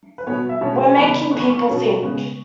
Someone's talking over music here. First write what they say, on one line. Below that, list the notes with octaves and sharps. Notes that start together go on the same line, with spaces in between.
We're making people think.
B4
B2 F#3 B3 C#5
E5
B2 F#3 C#4 C#5
G#4
G#5
C#3 E3 B3 B5
B5
B5
E3 B3 C#6
B5
C#6
B2 F#3 C#4
C#3 G#3 B3